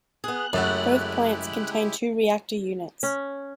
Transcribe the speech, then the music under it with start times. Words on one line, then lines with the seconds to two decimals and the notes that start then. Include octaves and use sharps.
Both plants contain two reactor units.
0.24 B3 G#4 F#6
0.53 F#2 C#3 G#3 A3 E4 G4 F#5
3.03 C#4